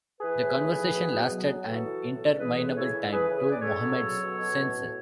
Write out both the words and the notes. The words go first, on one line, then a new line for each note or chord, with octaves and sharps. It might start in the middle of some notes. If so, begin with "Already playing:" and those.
The conversation lasted an interminable time to Mohamed’s sense.
E3 G#4 B4
A2
E3
A2
B2
B2
F#3
F#3
E3 F#4 A4
E3
A2
A2
E3 G#4 B4
C#3
E3 A4 C#5
E3
E3 G#4 B4
C#3
G#4 B4
C#3 D5
A4 C#5
C#3
F#3
F#3
B2
B2
A2
A2